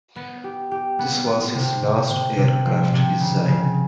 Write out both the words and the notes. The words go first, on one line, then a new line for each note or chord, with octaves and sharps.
This was his last aircraft design.
B3
G4
G4
B3
B3
C3
C3
C3
C3
F3
C3
C#3
C#3